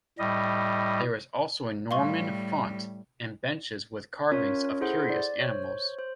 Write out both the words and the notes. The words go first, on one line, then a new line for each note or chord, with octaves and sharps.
There is also a Norman font, and benches with carvings of curious animals.
A2 G3 D#5
A2 G3 F5 C6 C#6
C#4 F4 A#4 C#5
E4 G#4 A4 C5 F#5 C6
D5
C5 C#5
C5